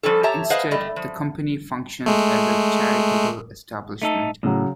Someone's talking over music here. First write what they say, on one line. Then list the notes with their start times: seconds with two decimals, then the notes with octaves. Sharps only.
Instead, the Company functions as a charitable establishment.
0.03 F3 G3 C#4 A4
0.23 G4 C#5 E5 A5 A#5
0.50 G#4 B4 C5 D#5 F5 F#5
0.71 G3 A3 D#5
0.96 F3
2.06 G#3 A3
4.02 A3 D#4 A4
4.43 A2 C#3 F#3